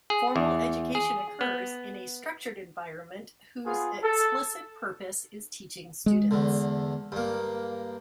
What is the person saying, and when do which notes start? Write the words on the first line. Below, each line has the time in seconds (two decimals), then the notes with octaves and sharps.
Formal education occurs in a structured environment whose explicit purpose is teaching students.
0.10 G#4
0.36 E2
0.95 G#4
1.41 B3
3.65 B3 F4 G#4
4.03 A4
6.06 G#3
6.31 E2 D3
7.12 G2 A#3